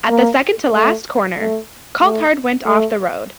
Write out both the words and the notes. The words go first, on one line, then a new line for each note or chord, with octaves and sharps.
At the second to last corner Coulthard went off the road.
A#3
A3
A3
A3
A3